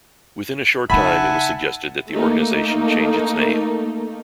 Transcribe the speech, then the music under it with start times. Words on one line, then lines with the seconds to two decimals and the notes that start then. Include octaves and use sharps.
Within a short time it was suggested that the organization change its name.
0.90 C#3 D#4 E5 F#5 G#5 A5 B5
2.12 A3 A#3 D#4